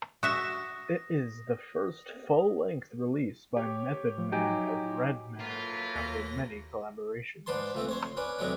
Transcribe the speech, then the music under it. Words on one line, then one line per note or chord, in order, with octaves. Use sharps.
It is the first full-length release by Method Man and Redman after many collaborations.
F#4 E5 D#6 A#6
G4 C#5
F3
F#3 D#4 G4 G5 G#5
F#3 A3 A#3 F4 B4
D#2 A#6
G#2 D4 B4 A5 C6
C#2 A3 C4
C5 C#5 C6
C#4 D4 B4
E2 C3 F#3 G#3 A3 D4